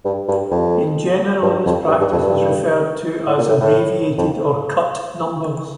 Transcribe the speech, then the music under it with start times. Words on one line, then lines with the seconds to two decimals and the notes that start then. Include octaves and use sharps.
In general, this practice is referred to as abbreviated or "cut" numbers.
0.05 G2
0.28 G2
0.51 F2
1.42 G2
1.65 F2
1.88 G2
2.00 G2
2.12 F2
2.22 G2
3.27 A2
3.38 A#2
3.49 A2
3.60 A2
4.17 F2